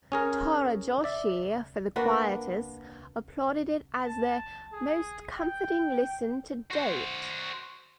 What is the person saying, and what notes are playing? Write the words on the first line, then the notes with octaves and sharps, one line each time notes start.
Tara Joshi for "The Quietus" applauded it as their "most comforting listen to date".
C#4 G#4 A#4
D5 E5
A#3 D4 F#4 B4
A5
G#4
G5
F#4 C5